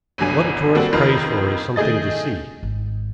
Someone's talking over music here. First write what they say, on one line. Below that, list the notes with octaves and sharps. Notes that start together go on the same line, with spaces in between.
What a tourist prays for is something to see.
G1 C2 D3 F#3 G#5 D#7
G3 A#3 C4 F#4 A4
F2 D#3 F4 A#4 B4
D#3 A3 G#4 D#5 A6
G#1